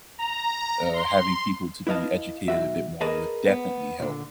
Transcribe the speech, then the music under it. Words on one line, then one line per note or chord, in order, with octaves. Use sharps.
uh, having people to be educated a bit more would definitely help.
A#5
C6
E4 B4 D#5 F5 A5
B1 B2 F#4 E5
G#4 A#4 B4 D#5 A5
B3
A#2 D3